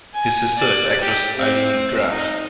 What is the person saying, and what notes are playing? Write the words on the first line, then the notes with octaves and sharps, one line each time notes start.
His sister is actress Ilene Graff.
G#5
D5
G4
C4
D#4